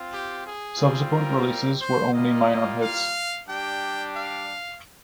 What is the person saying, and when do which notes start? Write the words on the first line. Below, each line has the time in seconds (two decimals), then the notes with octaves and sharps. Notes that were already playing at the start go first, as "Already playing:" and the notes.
Subsequent releases were only minor hits.
Already playing: C4 F4
0.10 G4
0.45 G#4
0.78 G3 C4 F4
1.11 A#4
1.79 C5
2.12 G3 A#3 F4 D#5
2.80 F5
3.47 G3 D4 G4 G5
4.16 F5